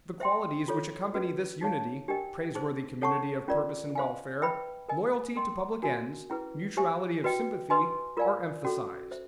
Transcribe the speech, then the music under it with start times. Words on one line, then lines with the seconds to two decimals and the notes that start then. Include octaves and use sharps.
The qualities which accompany this unity, praiseworthy community of purpose and welfare, loyalty to public ends, mutuality of sympathy, are emphasized.
0.20 C5 E5 G5 C6
0.68 F4 A4 C#5
1.14 C#4 F#4 B4
1.61 D#4 G#4 C#5 F5 A5
2.08 D4 G4 A#4 D#5 G5
2.55 D#4 G#4 C5
3.02 A4 C#5 F#5 A5 C#6
3.48 C#4 F4 A#4 D5
3.95 C5 F5 G#5
4.42 B4 E5 G5 B5
4.89 A#4 D#5 G#5
5.36 A#4 D#5 G5 C6
5.83 D4 F#4 A#4 D#5 G#5
6.30 C#4 E4 G#4 B4
6.77 G4 C5 E5 G#5
7.24 F#4 B4 D#5 G5
7.70 B4 D#5 G#5 C6
8.17 F4 A#4 D5 F5 G#5
8.64 C#4 F#4 A4
9.11 C5 E5